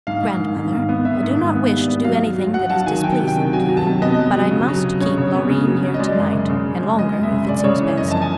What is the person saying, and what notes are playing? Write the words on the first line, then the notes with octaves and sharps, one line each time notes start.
"Grandmother, I do not wish to do anything that is displeasing to you, but I must keep Loreen here tonight, and longer if it seems best."
G#2 F5
G#2
D#3
G#2
G#2
B3
D#3 E5
G#2
G#2
B3
G3
B3
F#3 F5
F#3
F#3
F#3 F#5
F#3 A5
D#3 G#5
F#3 G5
C3
G5
D#3
F#3 G#5
F#3
A5
C3
B3 D#5
F#3
F#3
C#3
F#3
C#3
C#3 C#5
C#3
B3
C#3
F#3
F#3
D#5
G#3 D5
F#2
C#3
C#3
G#3
G#3
G#3 D#5
G#3
E5
C#3
C#3 D5
C#3 C#5
E3
F#2 D#5
F3 A5
G#5